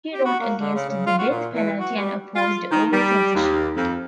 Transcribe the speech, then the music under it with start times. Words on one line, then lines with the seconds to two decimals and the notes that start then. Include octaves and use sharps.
He wrote against the death penalty and opposed all censorship.
0.13 G4
0.25 F#4
0.40 A#3
0.60 D3
0.75 C#3
0.89 C#3
1.07 F4
1.19 F#4
1.30 A#2
1.54 E3
1.80 F#4
1.97 G3
2.36 F4
2.71 D#3
2.92 G3
3.35 D#2
3.77 F2